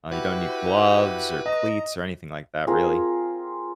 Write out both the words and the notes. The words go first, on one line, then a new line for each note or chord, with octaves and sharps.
uh, you don't need gloves, or cleats, or anything like that, really.
E4 F#4 G4 B4
D#5 A#5
C4 F4 G#4 A#4